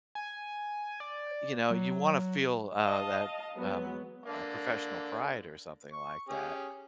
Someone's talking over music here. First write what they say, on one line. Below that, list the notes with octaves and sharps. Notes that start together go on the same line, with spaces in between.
you know, you wanna feel, uh, that, um, uh, professional pride or something like that.
G#5
D5
F#3
D#5 F5 A5
F#3 G#3 B3
D3 A#3 D4
C#6
C#4 G4 G#4